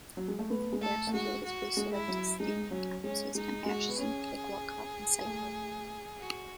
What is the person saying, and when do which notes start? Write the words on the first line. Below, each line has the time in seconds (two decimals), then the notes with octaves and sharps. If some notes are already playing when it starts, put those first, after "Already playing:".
The university is based around its three main campuses at Merchiston, Craiglockhart and Sighthill.
0.17 F#3
0.28 G#3
0.39 A3
0.50 B3
0.73 G#3
0.81 A3 A4
1.07 A3
1.14 G#3 F#4
1.45 F#4
1.77 G#3
1.93 E4
2.08 F#3
2.40 G#3 D#4
2.71 F#3 C#4
3.03 G#3 C#4
3.35 G#3 D#4
3.66 G#3 F#4
3.88 B3
3.98 C#4 G#4
5.25 A3
6.19 F#4